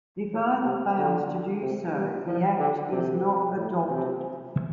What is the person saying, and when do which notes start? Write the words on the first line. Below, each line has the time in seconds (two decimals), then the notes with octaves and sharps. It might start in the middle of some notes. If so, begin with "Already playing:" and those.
If either fails to do so, the act is not adopted.
0.33 A2
0.65 C3
0.98 D3
1.62 C3
1.95 G3
2.27 F3
2.59 D3
2.92 C3
3.57 A2
3.89 C3